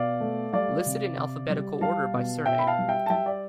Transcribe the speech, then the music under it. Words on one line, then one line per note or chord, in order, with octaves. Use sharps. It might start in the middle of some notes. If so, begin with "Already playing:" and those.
Listed in alphabetical order by surname.
Already playing: B2 D5 F5
A3
G3 D5 F5
C3
C3
G3
G3 F5 A5
B2
B2 E5 G5
B5
F5 A5
G3
E5 G5
A5
G3 E5 G5
D5